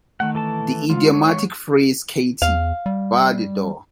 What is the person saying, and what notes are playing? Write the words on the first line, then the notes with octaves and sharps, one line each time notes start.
The idiomatic phrase Katy, bar the door!
D#3 A3 F#5
E3 A4 A5
G#2 F4
C#5
G#3
E2 F5
G3